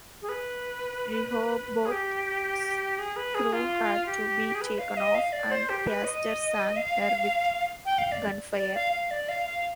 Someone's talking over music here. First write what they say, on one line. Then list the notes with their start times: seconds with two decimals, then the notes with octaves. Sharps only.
"Rehoboth"s crew had to be taken off, and "Castor" sank her with gunfire.
0.22 G#4
0.29 B4
1.85 G#4
1.91 G4
2.98 G#4
3.16 B4
3.35 G#4
3.53 F4
4.06 G4
4.55 G#4
4.61 B4
4.78 F5
4.92 F5
4.97 D#5
5.15 F5
5.33 D5
5.51 C5
5.69 G4
5.87 B4
6.04 D#5
6.76 F5
7.85 G5
7.98 F5
8.12 D5
8.57 D5
8.75 F5
8.93 F5
9.11 D5
9.29 F5
9.46 F5